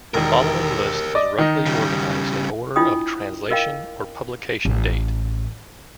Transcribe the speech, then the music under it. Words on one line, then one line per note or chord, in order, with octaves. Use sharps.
The following list is roughly organized in order of translation or publication date.
E1 D#3 G4 A#4
D5 D#5 D6
D#3 D#4
C#3 G3
D4 E4 F4 D#5 G5 D#6
A#4 D#5 F5 G5
A1